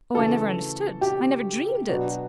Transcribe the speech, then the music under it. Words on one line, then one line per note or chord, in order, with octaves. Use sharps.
Oh, I never understood--I never dreamed it!
C#3 E3 A3 A4
G4
B2 F#3 B3 D4